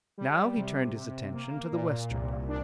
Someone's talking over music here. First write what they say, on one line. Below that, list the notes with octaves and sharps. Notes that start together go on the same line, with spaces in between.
Now he turned his attention to the western dial.
G3
C3
C3
A#3
A#2
C2
D4